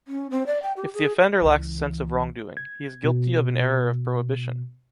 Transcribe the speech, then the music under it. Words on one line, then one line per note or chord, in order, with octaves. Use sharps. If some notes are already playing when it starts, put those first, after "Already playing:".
If the offender lacks a sense of wrongdoing, he is guilty of an error of prohibition.
C#4
C4
D5
G5
G4
G#4
C#2 E3
G#6
B2